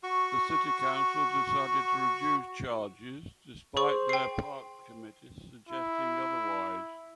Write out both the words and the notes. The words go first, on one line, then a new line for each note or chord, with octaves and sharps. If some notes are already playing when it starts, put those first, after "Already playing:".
The City Council decided to reduce charges despite their Parks Committee suggesting otherwise.
F#4 C#6
G#4 C5 C#6
G5 C7
E4